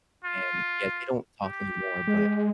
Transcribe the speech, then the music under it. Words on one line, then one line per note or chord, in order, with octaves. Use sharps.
and yeah, they don't talk anymore, but,
F4
G4
G#3